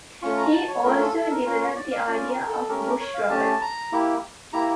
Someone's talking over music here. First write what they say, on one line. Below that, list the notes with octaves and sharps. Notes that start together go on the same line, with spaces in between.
He also developed the idea of bush robots.
A3 C#4 F4 C#6
A#5
A5
C#5
A3 C#4 F4 A#4
A4
A4
A#4
C#4 F4 A#4
C#5
D5
F5
C#4 F4 D5
A#4
A4
A3 C#4 G4 A#4
A#4
C#5
F5
A3 C#4 G4 A5
A#5
A#3 E4 G4
A#3 E4 G4 A#5